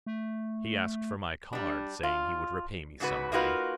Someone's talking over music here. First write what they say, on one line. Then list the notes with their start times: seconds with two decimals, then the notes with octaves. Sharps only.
He asked for my card, saying he would repay me some day.
0.07 A3
1.53 G3 D4
2.03 F4
3.00 G#2 C#3 F#4 B4
3.32 A#3 D#4 F4 F#4 B4